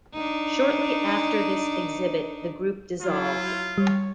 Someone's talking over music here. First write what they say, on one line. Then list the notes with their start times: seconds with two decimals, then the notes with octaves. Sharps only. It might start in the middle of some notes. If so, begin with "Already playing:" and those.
Shortly after this exhibit, the group dissolved.
0.14 D4 D#4
3.02 F#3 E4 F4
3.78 G3 C#5